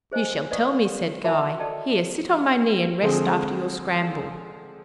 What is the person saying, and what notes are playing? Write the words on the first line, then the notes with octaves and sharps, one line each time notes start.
'You shall tell me' said Guy. 'Here, sit on my knee, and rest after your scramble.'
G#4 C5 D#5 G5 G#5
B4 D5 D#5 F#5 C#6 D#6
F#4 A#4 E5 A5 D6
A4 D5 D#5 G5 A5
D3 F3 G#3 C4 G#4